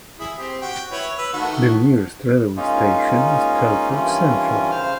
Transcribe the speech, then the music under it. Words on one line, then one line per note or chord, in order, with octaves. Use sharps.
The nearest railway station is Telford Central.
E4 G#4
C4 G4
F#4 G5
E4 B4 C#5
B4 E6
D#3 A3 F#4
G#3 A#3 C#4 D#4 F4
G2 D#3 E3 C#4 F4
C#3 C5 F5 F6